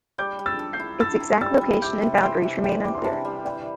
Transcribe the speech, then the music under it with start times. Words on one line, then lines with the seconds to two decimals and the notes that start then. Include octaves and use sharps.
Its exact location and boundaries remain unclear.
0.18 G3 D6 G6
0.39 G3
0.46 E6 A6
0.59 A4
0.73 G6 C7
0.80 E4
1.00 A4 E6 A6
1.20 A4
1.41 G3 E6 A6
1.61 G3
1.82 C3 D6 G6
2.02 C3
2.23 E3 G5 C6
2.43 C3
2.64 E3 D5 G5
2.84 G3 D6
2.95 C6
3.04 C3 E5 A5
3.25 G3
3.45 E3 D5 G5